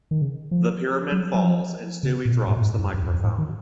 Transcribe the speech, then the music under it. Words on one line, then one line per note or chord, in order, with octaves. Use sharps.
The pyramid falls and Stewie drops the microphone.
D#3
C#3
F3
F#3
F#3
F3
C#3
A#2
B2
G#2
A#2
G#2
F#2
F#2
F2
F2
G#2
D#3